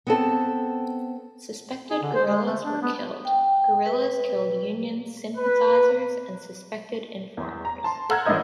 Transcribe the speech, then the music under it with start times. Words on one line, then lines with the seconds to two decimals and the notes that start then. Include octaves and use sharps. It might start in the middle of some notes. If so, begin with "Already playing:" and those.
Suspected guerrillas were killed; guerrillas killed Union sympathizers and suspected informers.
0.07 B3 C4 A4
1.90 G#4
2.02 D3
2.15 C5
2.28 G#3
2.45 A3
2.64 D4
2.82 B3
3.25 G5
3.86 B4
5.37 B4
7.37 E2
7.65 A#5
7.84 A5 C6
8.09 A4 F#5 A#5 E6 F6 G#6
8.25 A1 G2 D4 D#5 G6